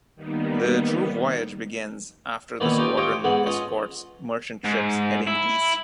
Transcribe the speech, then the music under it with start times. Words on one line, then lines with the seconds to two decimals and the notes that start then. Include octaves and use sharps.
The true voyage begins, after the squadron escorts merchant ships heading east.
0.15 D#3 G3 A#3 B3 D#4
2.60 A#2 D#3 E3 B3 C#4 E4
2.77 C#4 D#4 F4 G4
2.97 F4 G4 C#5 D#5 G5
3.24 G#2 E3 B3 G#4 F#5
3.46 C#4 F4 D#5
4.65 G#2
5.27 E4